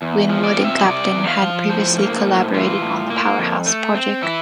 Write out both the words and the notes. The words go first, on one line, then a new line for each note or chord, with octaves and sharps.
Winwood and Clapton had previously collaborated on the "Powerhouse" project.
E2
F3
D5
C4
E5
C3 D5
E2
F5
F3
A2 C5
A#3
A2
E3 F4
A2
A#3
F2
A3
C4
E3 E4